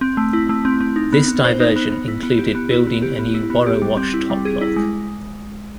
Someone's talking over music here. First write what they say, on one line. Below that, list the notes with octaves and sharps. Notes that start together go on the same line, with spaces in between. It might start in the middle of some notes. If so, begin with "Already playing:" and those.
This diversion included building a new Borrowash Top Lock.
C4
A3
E4
A3
C4
C4
D#4
B3
B3
C5
D#4
B3
B3
E4
B3
G4
B3
E4
B3
G4
B3
E4
B3
G4
G3
C4
E4
G3
G#4
E4
G#3